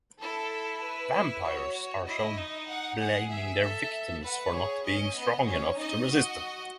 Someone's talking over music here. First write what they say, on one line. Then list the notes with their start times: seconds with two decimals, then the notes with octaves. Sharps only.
Vampires are shown blaming their victims for not being strong enough to resist them.
0.21 E4 A4
0.83 B4
1.14 E4
1.45 F#4 C#5
2.06 E4 D#5
2.37 D#4
2.68 F#5
2.99 G#4 F#5
3.31 E5
3.60 A4
4.23 B4 F#5
4.53 G#4 C#5
4.85 C#4 D#5
5.15 B3
5.46 C#4 C#5
5.77 D#4 D#5
6.08 F#4